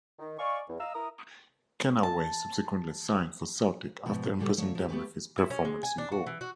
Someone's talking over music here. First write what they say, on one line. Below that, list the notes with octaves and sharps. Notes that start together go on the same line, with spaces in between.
Kennaway subsequently signed for Celtic after impressing them with his performance in goal.
D#3
D5 D#5 F5 G#5 C#6
E2
D#5 F5 A#5 E6
E4 A#4 E5 A#5 D#6
A5
G#2 B2 F3
F#2 A#2 D3 G3 G4 B4
D3 F3 A3 C#5
F3 G4
A3 B3 F#4 G4 B4
E4
C#4
G#3
G#5
D4
F#4
E3
F#4